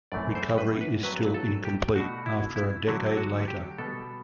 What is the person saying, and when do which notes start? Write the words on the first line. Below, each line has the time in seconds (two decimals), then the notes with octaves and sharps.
Recovery is still incomplete after a decade later.
0.12 F#2 E3 A3 C4 D5
0.35 C5
0.58 B4
0.81 B4
1.03 G2 F#3 C4 B4
1.34 A4
1.65 G4
1.95 B2 A3 D4 F#4
2.26 E4
2.56 E4
2.87 D3 F#3 A3 C4 E4
3.17 F#4
3.48 G4
3.78 B2 G3 B3 A4